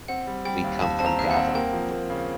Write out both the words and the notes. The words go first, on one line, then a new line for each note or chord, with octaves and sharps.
We come from Gavà.
C4 F#5
G3
G3 G5
D#2
D#2 A5
C4 A5
A#5
D#2 F5
F#5
C4
A#3 G5
F3
A#3
C#3